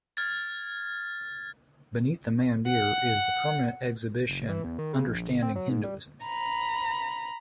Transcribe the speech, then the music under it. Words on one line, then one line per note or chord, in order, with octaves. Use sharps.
Beneath the Mandir is the permanent exhibition 'Understanding Hinduism'.
F6 G#6 A6
F#5
F#1
E3
E2
D#3
C#3
A#1
G1
C4
F#3
G#2
G3
A#5 B5